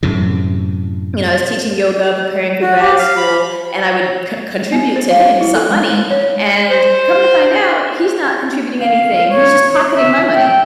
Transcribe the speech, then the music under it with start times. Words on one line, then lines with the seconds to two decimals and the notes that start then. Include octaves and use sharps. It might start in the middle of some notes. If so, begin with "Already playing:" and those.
you know, I was teaching yoga, preparing for grad school, and I would co contribute to him some money, and come to find out, he's not contributing anything, he's just pocketing my money.
0.03 F#2 A2 C3
2.62 F#4
2.80 G4
2.98 F5
3.17 B5
4.72 B3
4.96 C5
5.10 F5
5.41 E4
5.55 A4
5.70 G#3
5.91 G#3
6.11 C#5
6.70 C5
8.80 F5
9.32 C#5
9.96 E5
10.34 G5